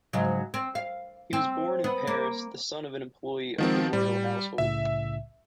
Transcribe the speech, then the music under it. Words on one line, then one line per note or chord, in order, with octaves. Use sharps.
He was born in Paris, the son of an employee of the royal household.
G#2 C#3 F#3
C4
F5
C4
B3
A#3
D#3 F3 G#3 C4 F#5
A2 G3
C2 A2 C#3 E5